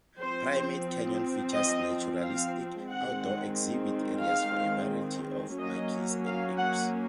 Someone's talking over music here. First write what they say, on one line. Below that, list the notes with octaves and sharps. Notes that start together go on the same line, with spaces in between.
'Primate Canyon features naturalistic, outdoor exhibit areas for a variety of monkeys and apes.
F3 C4 C5
D#5
F5
D#3 G#3 C4 F#5
F5
F#3 A#3 C#4 D#5
F5
F#5